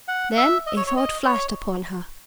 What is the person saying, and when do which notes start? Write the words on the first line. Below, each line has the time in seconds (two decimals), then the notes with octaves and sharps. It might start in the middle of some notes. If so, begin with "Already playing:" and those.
Then a thought flashed upon her.
0.08 F#5
0.37 E5
0.66 D#5
0.77 C#5
0.87 C#5
0.97 D#5
1.26 C#5